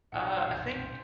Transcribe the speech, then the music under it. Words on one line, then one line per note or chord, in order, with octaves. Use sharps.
Uh, I think
B1 F#5 G#5 D#6 C#7
F#1 C2 A#2 C5